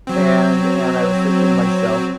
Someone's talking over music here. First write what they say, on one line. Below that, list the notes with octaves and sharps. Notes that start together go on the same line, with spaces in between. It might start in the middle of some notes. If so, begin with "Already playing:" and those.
And and, I was thinking to myself,
F#3 C4